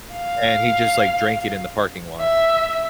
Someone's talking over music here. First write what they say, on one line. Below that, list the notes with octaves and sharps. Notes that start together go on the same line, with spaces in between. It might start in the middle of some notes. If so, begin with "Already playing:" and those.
and he just, like, drank it in the parking lot.
F5
E5